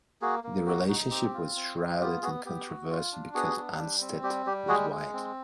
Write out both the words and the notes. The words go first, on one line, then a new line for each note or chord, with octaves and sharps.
The relationship was shrouded in controversy because Anstett was white.
A#3 F#4 G#4
A#3
F#4 G4
D#4 F#4
C4 G4
F4
C4
F4
B3 G4
B3 F#4 G#4
B3 G4
F#4
F4
D4
B3 F#4 G#4
D4
G3
C4
G3 G4
G3 G4
G#3 F#4 G#4
G#3
C4